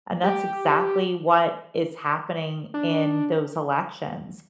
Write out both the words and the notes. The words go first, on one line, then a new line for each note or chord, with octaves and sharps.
And that's exactly what is happening in those elections.
G4
D4